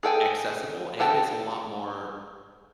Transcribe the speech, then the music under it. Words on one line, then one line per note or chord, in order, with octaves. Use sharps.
accessible and is a lot more
G#4 A4 G5 G#5
G#4 A4 F#5 G5 A5